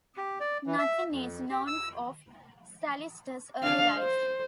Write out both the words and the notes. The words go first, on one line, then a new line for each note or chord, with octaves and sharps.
Nothing is known of Callistus' early life.
G4
D5
E3
E5
F2
G4
E6
D4 F5
C5